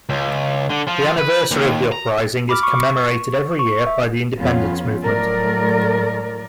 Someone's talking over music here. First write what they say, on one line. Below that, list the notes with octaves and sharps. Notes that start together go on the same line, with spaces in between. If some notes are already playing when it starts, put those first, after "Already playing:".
The anniversary of the uprising is commemorated every year by the independence movement.
C#2
D3
F3
B4
D#2
A#5
B5 D6 F6
C#6
C#6
E5
F2 B3 C#4 F4
A2 F#3 A3 A#4 D5